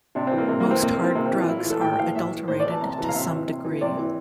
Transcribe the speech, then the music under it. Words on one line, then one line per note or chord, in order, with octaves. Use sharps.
Most hard drugs are adulterated to some degree.
C3 D4
E3 C4
A#3
C3 A#3
E3 A#3
C4
C3 A#3
A#3
E3
C4
C3 A#3
C4
E3
F4
A2 E4
F4
E3
A4
A2 G5
G5
E3 F5
A2 E5
E3
A2 C5
D5
E3
A5
C3 A#5
A5
E3
F5 A#5
C3 E5
E3
C3
E3
C3 D5
E3